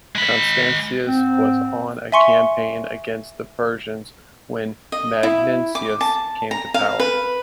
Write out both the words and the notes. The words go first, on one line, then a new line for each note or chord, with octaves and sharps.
Constantius was on a campaign against the Persians when Magnentius came to power.
G#3 B5
G#2 C4
E5 G#5 C6 C#6 C#7
D#5
E4
D6
A5
A#5
F5
B4